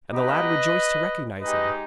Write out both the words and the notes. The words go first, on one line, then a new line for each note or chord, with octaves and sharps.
And the lad rejoiced to recognise him.
B3 D#4 G4 B4 D#5
G#3 D#4 G4 B4 D#5